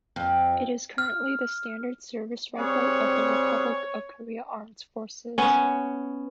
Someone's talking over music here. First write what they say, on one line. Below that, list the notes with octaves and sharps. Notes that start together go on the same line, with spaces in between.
It is currently the standard service rifle of the Republic of Korea Armed Forces.
F2
F6
G3 C4 G#4 C#5 F#5
B3 C#4